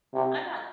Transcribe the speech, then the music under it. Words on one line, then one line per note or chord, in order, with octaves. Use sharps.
I'm not s
C3